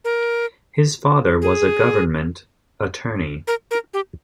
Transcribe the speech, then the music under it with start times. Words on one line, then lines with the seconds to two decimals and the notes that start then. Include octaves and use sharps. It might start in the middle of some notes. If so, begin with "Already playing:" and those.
His father was a government attorney.
0.05 A#4
1.42 G#4
3.47 A#4
3.71 A#4
3.94 G4